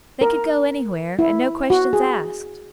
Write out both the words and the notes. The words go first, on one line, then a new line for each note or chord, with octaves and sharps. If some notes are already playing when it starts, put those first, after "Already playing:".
They could go anywhere, and no questions asked.
A#4
E4
F#4
G#4